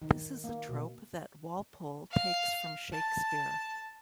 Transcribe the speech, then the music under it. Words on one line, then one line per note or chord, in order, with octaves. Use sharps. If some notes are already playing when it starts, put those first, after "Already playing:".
This is a trope that Walpole takes from Shakespeare.
D#3
A#3
B2
F5
A5